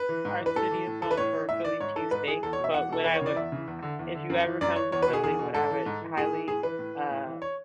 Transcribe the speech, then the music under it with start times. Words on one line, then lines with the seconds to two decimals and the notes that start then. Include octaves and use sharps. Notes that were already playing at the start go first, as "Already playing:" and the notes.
our city is known for Philly cheesesteaks, but what I would uh, if you ever come to Philly, what I would highly, uh,
Already playing: B4
0.09 E3
0.25 G#2
0.40 E3
0.46 B4
0.56 A2 A4
0.71 E3
0.87 A2
1.02 E3 A4
1.11 B4
1.17 A2 C#5
1.34 E3
1.49 A2 E5
1.65 E3 D5
1.80 G#2 C#5
1.96 E3 A4
2.11 G#2 B4
2.27 E3 G#4
2.43 E2 A4
2.53 C#5
2.59 B2
2.64 E5
2.74 E2 F#5
2.89 B2 A4
3.04 E2 B4
3.14 C#5
3.21 C#3 E3 D5
3.37 E2 E5
3.52 C#3 E3
3.67 E2
3.83 D3
3.99 E2
4.15 D3
4.30 F#2
4.46 E3
4.61 F#2 D5
4.76 E3 C#5
4.92 E2 C#5
5.03 B4
5.08 B2
5.13 G#4
5.24 E2 G#4
5.39 B2
5.54 G#2 A4
5.71 E3
5.86 G#2
6.02 E3
6.17 A2 G#4
6.33 E3
6.48 A2 G#4
6.63 E3 B4
6.79 A2
6.95 E3
7.10 A2
7.27 E3
7.42 C#5